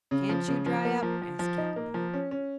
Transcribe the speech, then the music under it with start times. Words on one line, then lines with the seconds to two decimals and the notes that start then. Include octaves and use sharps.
"Can't you dry up?" asked Cap'n Bill.
0.11 C#3
0.29 F3
0.48 C#3
0.66 F3
0.85 A#3
1.02 F3
1.22 F3
1.39 F3
1.58 D#4
1.76 A#3
1.94 F3
2.14 C#4
2.31 C#4